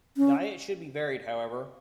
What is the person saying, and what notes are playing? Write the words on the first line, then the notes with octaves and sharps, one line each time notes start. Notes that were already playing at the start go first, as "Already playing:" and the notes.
Diet should be varied however.
C#4